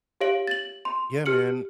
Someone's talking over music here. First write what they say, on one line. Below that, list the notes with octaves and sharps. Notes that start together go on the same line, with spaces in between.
Yeah, man.
G4 C#5 F5 D7 F#7
A6 F#7
C6
G4 F6 C#7 F#7